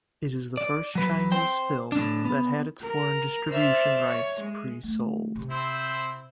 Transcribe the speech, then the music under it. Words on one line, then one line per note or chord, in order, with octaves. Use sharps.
It is the first Chinese film that had its foreign distribution rights pre-sold.
D5
F#3 B4
C5 G5
A2 D4
B3
A#4
C5 D5 E5 F6
C#5
G#3
A3
C3
C4 E4 C5